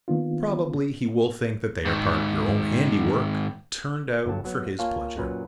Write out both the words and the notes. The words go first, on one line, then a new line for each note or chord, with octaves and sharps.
Probably he will think that they are part of your own handiwork turned out for his pleasure.
D#3 A#3 B3 D4 F4
G#2 D#3
G1 G2 F#3 A5
F#3 B3
A#3 F4 C#5 F5 G#5 A5
F#2 A#2 F#3 B4